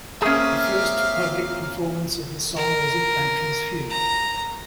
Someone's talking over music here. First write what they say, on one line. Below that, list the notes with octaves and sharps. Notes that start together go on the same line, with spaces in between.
The first public performance of the song was at Duncan's funeral.
A3 A#3 C4 C#4 G#4 E5 F5 F6
A#4
A#5